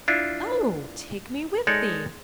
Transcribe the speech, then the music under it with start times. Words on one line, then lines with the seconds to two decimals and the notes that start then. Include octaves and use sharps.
'Oh! take me with thee!'
0.08 D4 E4 F4
1.67 G#3 D#4 A4 C#5 D5